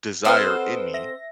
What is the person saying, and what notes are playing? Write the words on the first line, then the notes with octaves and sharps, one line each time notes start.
desire in me
C4 A4 B4 C5 D#5 F#5 D#6 F6
E5 A#6